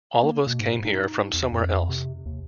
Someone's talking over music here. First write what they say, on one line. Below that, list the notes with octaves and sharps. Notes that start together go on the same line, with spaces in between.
All of us came here from somewhere else.
A#3
B2
G#2
D#4
E2
F2
C3
D#2